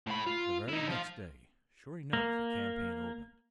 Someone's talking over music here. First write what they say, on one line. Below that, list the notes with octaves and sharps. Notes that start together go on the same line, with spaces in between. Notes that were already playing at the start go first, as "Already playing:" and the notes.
The very next day, sure enough, the campaign opened.
A2 B5
F4
D#4 E4
F3 F5
A#3